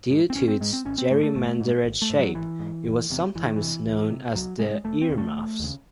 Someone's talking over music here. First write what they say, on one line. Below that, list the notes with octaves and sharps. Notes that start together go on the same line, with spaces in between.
Due to its gerrymandered shape it was sometimes known as the earmuffs.
G#2
C4
G#1 C#4
C4
G#2 G#3
C4
G#1 C#4
C4
G#2 A3
A3
G#1 A3
G#2
G#1
A3
G#2
F#3
G#1 E3
G#2
F#1
E2 C3
F#1 E3
D#3
E2 C3 E3
C2
C3
C2 F#3
C3 G#3
E1 A3
C4
D#2 C#3
A3
E1
D#2 C#3